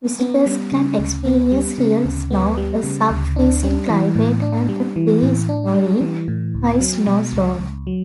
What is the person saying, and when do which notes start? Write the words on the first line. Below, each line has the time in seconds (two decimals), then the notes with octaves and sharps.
Visitors can experience real snow, a sub-freezing climate and a three-storey high snow slope.
0.19 B3
0.46 G3
0.72 C#3
0.99 D2
1.26 B3
1.52 G3
1.78 C#3
2.05 D2
2.31 B3
2.57 G3
2.83 C#3
3.11 D2
3.36 D4
3.63 G3
3.90 E3
4.16 A2
4.42 D4
4.69 G3
4.96 E3
5.22 A2
5.49 D4
5.74 G3
6.01 E3
6.28 A2
6.55 C#2
6.80 F#3
7.07 B2
7.33 C#2
7.59 C#2
7.87 F#3